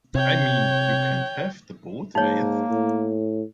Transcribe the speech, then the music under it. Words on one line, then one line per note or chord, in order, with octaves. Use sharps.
I mean, you can't have it both ways.
C3 C#5 G5
G#2 A#3 D#4 C#5
A2